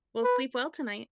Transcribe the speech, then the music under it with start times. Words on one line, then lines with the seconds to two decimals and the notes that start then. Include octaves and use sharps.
Well, sleep well tonight.
0.24 B4